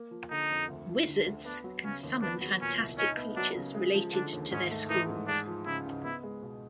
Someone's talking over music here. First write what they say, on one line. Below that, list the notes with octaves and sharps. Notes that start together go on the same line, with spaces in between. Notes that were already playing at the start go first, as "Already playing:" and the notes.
Wizards can summon fantastic creatures related to their schools.
Already playing: A#3
F3
D3 D#4
F2
D2
F3
D3
D2
B3 D4
F#3
C#3 C#4
D#2
B3 D4
F#3
A#2 C#4
C2
C#4 D#4
B3
F#3 D4
C#3
G#3
F3
D3 D4
D#2
G#2 C#4
A3
E3 D#4
G#2
G#3 D4
F3
C#3 E4
C#2
B3 E4
G#3
B2